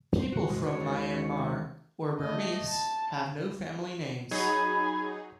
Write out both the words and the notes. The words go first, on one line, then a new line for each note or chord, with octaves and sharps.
People from Myanmar or Burmese, have no family names.
C5
F#4
G#3
C#5
D#2
D#3
C#5
C3
A3 D#5
A5
F#3 D#4 G#4 G#5 B5